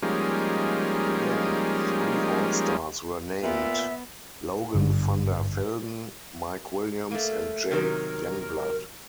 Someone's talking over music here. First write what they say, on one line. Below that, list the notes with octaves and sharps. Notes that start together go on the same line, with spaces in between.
Again, three all-stars were named, Logan Vander Velden, Mike Williams, and Jay Youngblood.
F3 G3 G#3 A#3 C#4 D#4
A#2 B3 E5
G#1 G2 D3
A3 A#3
C3 D#3 F#3 A#4